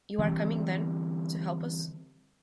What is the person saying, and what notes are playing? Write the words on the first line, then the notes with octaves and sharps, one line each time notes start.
You are coming, then, to help us?
D3 E3 G3 C4